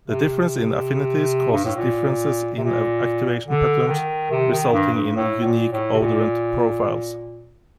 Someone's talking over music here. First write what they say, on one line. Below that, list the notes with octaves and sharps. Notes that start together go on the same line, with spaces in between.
The difference in affinities causes differences in activation patterns resulting in unique odorant profiles.
C3
G2
A2
A#2
C3
A#2
D3
D#3
C3
D#3
G2
G2
A2
A#2
A2
C3
A#2